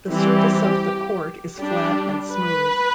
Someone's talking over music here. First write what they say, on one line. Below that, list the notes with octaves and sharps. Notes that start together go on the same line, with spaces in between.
The surface of the court is flat and smooth.
E3 G3 C4 G4
G3 D4 G4
B4